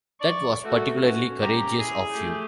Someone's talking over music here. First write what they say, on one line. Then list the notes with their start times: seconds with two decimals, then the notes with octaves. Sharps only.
That was particularly courageous of you.
0.21 D5 C#6
0.64 A3 F#4 A4
1.00 C#4 F#4
1.42 C#4 G4 A#5
1.79 E4 G#4
2.11 A3 G4